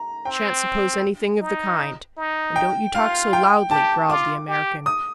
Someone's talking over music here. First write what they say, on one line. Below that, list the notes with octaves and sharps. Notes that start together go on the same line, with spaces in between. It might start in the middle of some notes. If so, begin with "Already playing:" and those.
"Shan't suppose anything of the kind, and don't you talk so loudly," growled the American.
Already playing: A#5
C4 G5
D#4
D#4
G5
F4 F5
G5
G4 A5
F4 D6
G4
D#6